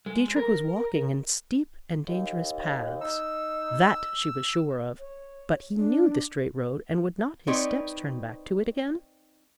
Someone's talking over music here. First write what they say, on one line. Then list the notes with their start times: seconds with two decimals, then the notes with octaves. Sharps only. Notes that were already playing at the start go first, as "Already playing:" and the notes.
Dietrich was walking in steep and dangerous paths; that she was sure of, but he knew the straight road and would not his steps turn back to it again?
0.06 G#3
0.36 A#4
2.07 D#2
3.01 D#4 E6
4.99 C#5
5.77 D4
7.47 C4 D#4 B4 C#5 D5